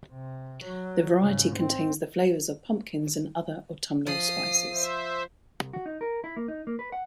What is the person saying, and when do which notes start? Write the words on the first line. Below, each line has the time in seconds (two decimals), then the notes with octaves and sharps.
This variety contains the flavors of pumpkins and other autumnal spices.
0.12 C3
0.63 F#3
1.21 G#2 C#3
1.56 C4
4.07 F3 D#6 C7
4.74 C5 E5
5.61 C2
5.73 F#4
5.86 D#4
6.01 A#4
6.24 E4
6.37 A#3
6.48 D#4
6.67 A#3
6.79 B4
6.92 F#5